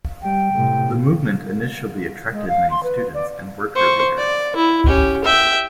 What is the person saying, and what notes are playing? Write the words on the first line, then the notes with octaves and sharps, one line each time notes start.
The movement initially attracted many students and worker leaders.
G3 G5
A2 C3
G#3
F5
C6
B4
D5
C5 C#6
D5
E4
C#4 G4
E5 G5